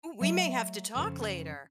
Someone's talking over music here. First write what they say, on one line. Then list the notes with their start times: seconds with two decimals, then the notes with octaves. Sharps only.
Ooh, we may have to talk later.
0.20 F#3 A3 D#5 E5
0.95 F2 C#3 C5